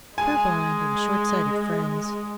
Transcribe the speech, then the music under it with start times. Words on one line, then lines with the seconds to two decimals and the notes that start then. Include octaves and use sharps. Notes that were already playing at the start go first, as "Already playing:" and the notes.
Purblind and short-sighted friends!
0.18 G#3 G#5